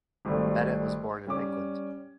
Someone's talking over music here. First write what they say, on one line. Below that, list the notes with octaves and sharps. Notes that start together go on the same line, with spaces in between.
Bennett was born in England.
G#1 G3 A3
G3 C#4 D6